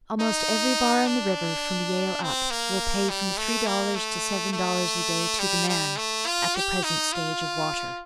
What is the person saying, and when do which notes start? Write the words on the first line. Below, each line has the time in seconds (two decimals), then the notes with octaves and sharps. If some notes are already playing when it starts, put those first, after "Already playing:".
Almost every bar on the river from Yale up will pay from three dollars to seven dollars a day to the man at the present stage of water.
0.20 D#4
1.06 D4
2.22 C4
2.51 A#3
3.09 G3
3.37 A3
3.66 A#3
3.95 A3
4.53 A3
5.39 G3
5.69 G3
5.97 A3
6.27 F4
6.55 G4
6.84 D#4
7.13 F4